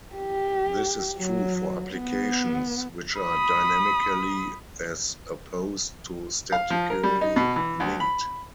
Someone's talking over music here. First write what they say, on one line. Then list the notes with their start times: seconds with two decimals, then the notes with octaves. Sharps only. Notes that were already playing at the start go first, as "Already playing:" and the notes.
This is true for applications which are dynamically as opposed to statically linked.
0.15 G4
1.18 F#3
1.93 B3
3.21 B5 D#6
6.52 F5
6.70 F3
6.90 A#4
7.04 G3
7.21 D#4
7.36 B2
7.56 E3
7.80 D2
8.00 B5